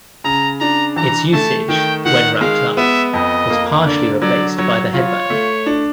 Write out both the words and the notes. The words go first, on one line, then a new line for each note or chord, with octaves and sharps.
Its usage, when wrapped up, was partially replaced by the headband.
C#3 A#5
D4 A#5
E3 A#5
A3 A5
D#3 G5
D#3 F#5
G#3 F5
B3 E5
F2 D#5
A#3
D3 D5
F#3 D5
F#3 C#5
F4 C#5
A3
D4